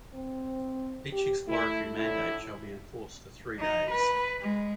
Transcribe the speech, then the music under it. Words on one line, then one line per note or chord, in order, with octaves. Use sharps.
Each exploratory mandate shall be in force for three days.
C4
G4
A3 E4
A2 D3 E4
D#4
B4
G#3